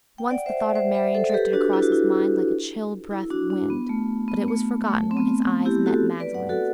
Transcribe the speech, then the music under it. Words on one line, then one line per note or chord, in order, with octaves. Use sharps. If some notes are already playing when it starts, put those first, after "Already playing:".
Once the thought of Marian drifted across his mind like a chill breath of wind, but it was forgotten when his eyes met Magdalen's.
G5
D5 F#5
C5 E5
C5 E5
D5
C5 E5
C5 E5
A4 C5
A4
G4 B4
D4 F#4
E4
F#4
E4
E4
D4 F#4
D4
B3
A3
B3
A3
A3
C4
B3
E4 G4
F#4 A4
B4 D5
D5 F#5
F#4 A4